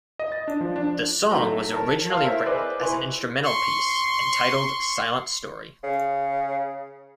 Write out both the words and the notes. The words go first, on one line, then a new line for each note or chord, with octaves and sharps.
The song was originally written as an instrumental piece and titled Silent Story.
D#5
A6
D4
F3
D4
F#3 A3 D#4
A#4 C#5 A5
F5 A5 C6 F6
E4 A#4 C5 C#5 E5
G#4 B4 C5 D5 D#5
E4 B4 G#5 C6 C#6
C6 C#6
C#3